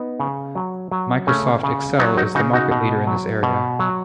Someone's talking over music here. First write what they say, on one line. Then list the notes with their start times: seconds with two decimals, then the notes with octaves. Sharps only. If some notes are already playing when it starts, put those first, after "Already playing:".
Microsoft Excel is the market leader in this area.
Already playing: B3 D#4
0.20 C#3
0.55 F#3
0.92 F#3
1.27 C#3 A3 C#4
1.63 C#3
1.99 F#3 B3 D#4
2.17 D#4 F#4
2.35 C#3 D#4 F#4
2.53 D#4 F#4
2.71 B2
3.07 F#3
3.43 B2
3.79 F#3